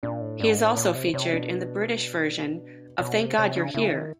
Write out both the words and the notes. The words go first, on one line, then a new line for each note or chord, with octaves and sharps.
He has also featured in the British version of "Thank God You're Here".
A#2 D4 D5
A2
G#2 D4 D5
A2
A#2 C#5
C3
C5
C3 C#5
B2 D4 D5
B2 C#5
C3 C5
C3 C#5
C#3 D4 D5
C#3 E4 E5
D#3